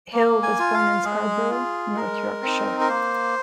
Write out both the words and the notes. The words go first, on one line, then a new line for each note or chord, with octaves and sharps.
Hill was born in Scarborough, North Yorkshire.
A#3
G#5
F4
F5
G#3 G#4
F4
G#3 A#4
C4 D#4
A#4
A#3 C5